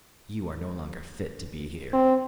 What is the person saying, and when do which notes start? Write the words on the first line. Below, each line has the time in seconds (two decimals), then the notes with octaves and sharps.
You are no longer fit to be here.
1.93 C4